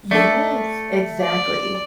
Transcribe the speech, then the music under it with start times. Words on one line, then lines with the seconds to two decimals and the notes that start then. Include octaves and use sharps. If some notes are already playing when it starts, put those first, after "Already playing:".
Yes, exactly.
0.11 A3 D4 A4
1.21 D5